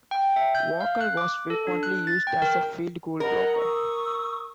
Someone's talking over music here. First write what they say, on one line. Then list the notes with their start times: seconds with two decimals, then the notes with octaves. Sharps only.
Walker was frequently used as a field goal blocker.
0.11 G5
0.36 E5
0.55 G6
0.81 F5
1.01 F#6
1.17 D6
1.50 A4
1.67 D4
1.83 F#6
2.07 A6
2.27 G5
2.42 A#4
3.20 A#4 D#5 F#5 A#5
3.56 C#6 D#6 E6